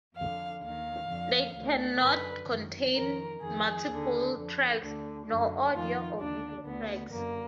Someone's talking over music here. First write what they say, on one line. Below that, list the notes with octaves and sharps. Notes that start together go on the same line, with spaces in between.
They can not contain multiple tracks, nor audio or video tracks.
F2 D3 F5
D#2 D#3 F5
F2 D3
D2 D3
F#2 D3 B4
F#2 D#3
F2 D#3 A#4
F2 D#3 G#4
D#2 D3
F2 D3
D2 D3
F#2 D3
F2 D#3 F4
D#2 D3 D4
D2 D3 B3
F#2 D3 A#3